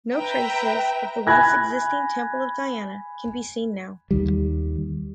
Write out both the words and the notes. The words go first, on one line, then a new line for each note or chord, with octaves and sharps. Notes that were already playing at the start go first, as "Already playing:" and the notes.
No traces of the once existing Temple of Diana can be seen now.
B4 E5 G5 A#5
G#5 B5 F#6 G#6 A#6
D#2 D#3 G3